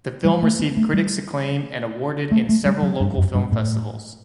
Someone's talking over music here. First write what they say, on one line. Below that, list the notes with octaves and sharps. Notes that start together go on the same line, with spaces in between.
The film received critics acclaim and awarded in several local film festivals.
G3
A3
B3
A3
G3
A3
A3
G3
F#3
G2
F#2
G2
A2